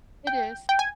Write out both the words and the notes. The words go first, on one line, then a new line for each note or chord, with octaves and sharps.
It is.
G5
G5
G#5